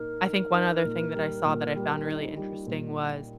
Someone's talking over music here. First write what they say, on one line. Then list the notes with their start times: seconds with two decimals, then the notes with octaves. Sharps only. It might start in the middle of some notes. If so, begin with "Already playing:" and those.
I think one other thing that I saw that I found really interesting was,
Already playing: A#2 D#4 A#4
0.24 D#4
0.54 D#4
0.85 A#2
1.15 G3
1.45 A#2
1.76 G3
2.06 D#4
2.37 G3
2.67 A#2